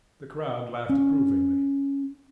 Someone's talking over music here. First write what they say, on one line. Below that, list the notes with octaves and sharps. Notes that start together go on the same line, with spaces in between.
The crowd laughed approvingly.
C#4